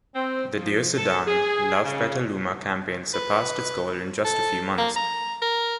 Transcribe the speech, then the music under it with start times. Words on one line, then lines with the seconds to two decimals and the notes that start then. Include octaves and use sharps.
The "Dear Sudan, Love Petaluma," campaign surpassed its goal in just a few months.
0.15 C4
0.55 F3
0.97 A4
1.26 G#4
1.84 C#3
3.14 B4
4.25 A4
4.78 A#3
4.96 A#5
5.42 A#4